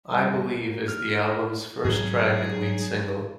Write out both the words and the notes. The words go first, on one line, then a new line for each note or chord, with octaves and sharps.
"I Believe" is the album's first track and lead single.
G3
A#3
F6
G#2 F#3 C4 G#4